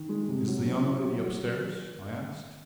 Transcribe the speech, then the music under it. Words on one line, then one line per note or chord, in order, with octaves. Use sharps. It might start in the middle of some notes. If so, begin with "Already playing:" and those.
"Is the young lady upstairs?" I asked.
Already playing: D#3
G#3
C3
F#3
C#4
E4
F#3
F#3